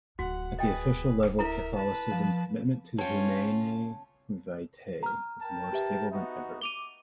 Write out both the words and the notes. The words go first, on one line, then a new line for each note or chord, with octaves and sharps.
At the official level, Catholicism's commitment to "Humanae Vitae" is more stable than ever.
D1 F#3 F#4 F#5
G#4 B4 D#5 G5
E4 A4 A#4 E5 A#5
B4 A5
F3
C#4 F4 C#5 G5 A5
A#5 F6
A#4 G5 A5
G4 B4 E5
B3 D#4 F#4 E5
D6 D#7 F7 G7